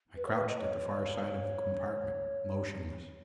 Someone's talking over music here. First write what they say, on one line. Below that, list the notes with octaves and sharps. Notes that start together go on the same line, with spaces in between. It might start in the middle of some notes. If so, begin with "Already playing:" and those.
I crouched at the far side of the compartment, motionless.
B4
C#5
B4
D#5
C#5